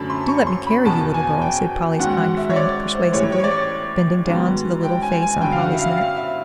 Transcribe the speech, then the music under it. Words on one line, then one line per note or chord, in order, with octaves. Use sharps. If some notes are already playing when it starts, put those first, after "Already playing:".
"Do let me carry you, little girl," said Polly's kind friend persuasively, bending down to the little face on Polly's neck.
Already playing: F#2 D3 F#3 A3 D4 A5 B5
C6
C#6
C6
B5
E2 B2 F#3 B3 A5
G#5
G5
G#2 D#3 F#3 F#5
F#5
E5
C#5
D5
C5
A2 E3 G3 C#5
C#5
D5
C#5
G#2 D#3 F#3 B3
G5
G#5
G#5
G2 D3 F#3 G5
F5
F#5
E5
F5
F5
E5